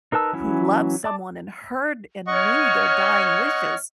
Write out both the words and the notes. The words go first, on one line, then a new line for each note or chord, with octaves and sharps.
who loved someone and heard and knew their dying wishes
D#4 A#4 B4 A5 E6
E3 F#3 C#4 E4
D5 A5 D6
C#4 C#5 D#5 F#5 C#6 F6